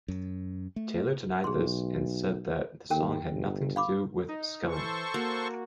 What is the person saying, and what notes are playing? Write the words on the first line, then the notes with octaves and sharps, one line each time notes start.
Taylor denied this and said that the song had nothing to do with Skellern.
F#2
A3
B1 G#4 C6
D#2 A4 A#4 G5
G1
F5 B5 D6
D#4
E3 A4 C5 C#6
A#3 F#4